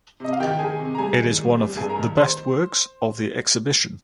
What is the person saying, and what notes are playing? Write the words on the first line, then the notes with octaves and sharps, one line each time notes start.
It is one of the best works of the exhibition.
C3 D#5
F5
D#3 G4 G5
D#3 G#4 G#5
C3
A#5
G3 G#4 G#5
D#3
G3
G3
G2 G#4 G#5
A#4 A#5
D#3
C5 C6